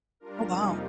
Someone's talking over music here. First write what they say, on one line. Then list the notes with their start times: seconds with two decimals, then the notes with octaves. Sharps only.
Oh, wow.
0.20 G3 D4 F4 A#4
0.49 F2 C3 G3 A#3 D#4